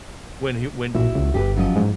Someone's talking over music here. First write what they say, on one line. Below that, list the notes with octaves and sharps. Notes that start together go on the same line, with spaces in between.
when he when
A#1 E4 F#4
C#2
G1 G4 G#4 B4
F#2 F3 D#5
G#2